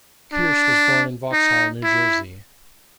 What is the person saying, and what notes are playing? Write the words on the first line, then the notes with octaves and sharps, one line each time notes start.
Kearse was born in Vauxhall, New Jersey.
D4
D#4
E4